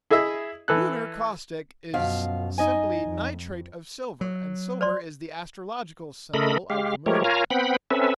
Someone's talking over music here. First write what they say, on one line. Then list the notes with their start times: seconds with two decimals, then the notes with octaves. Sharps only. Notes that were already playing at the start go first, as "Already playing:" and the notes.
Lunar caustic is simply nitrate of silver, and silver is the astrological symbol of the moon.
0.10 E4 G#4 D#5 E5
0.68 E3 A4 F#6
1.94 F#2 B2 F3 F5
2.58 D#4 D#5 G#5
3.02 F2
4.21 F#3
4.81 C5 D5 C6
6.34 C#3 A3 A4 A#4 D#5 B5
6.70 G#3 G4 F5
7.06 F3 G#3 A3 G4 A#4 C#5
7.24 F4 A#4 C#5 F5 G#5 A#5
7.50 B3 C4 F#5 G5 B5
7.91 C4 C#4 A4 B4 E5